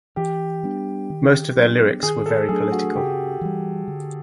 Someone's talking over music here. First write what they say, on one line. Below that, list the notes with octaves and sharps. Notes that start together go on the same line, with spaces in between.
Most of their lyrics were very political.
E3 G4
G3 B3 D4
D#3
F#3 B3 D4
D#3 G#4
A4
F#3 A3 D4 G#4
F#4
C#3 G4
E3 G3
D3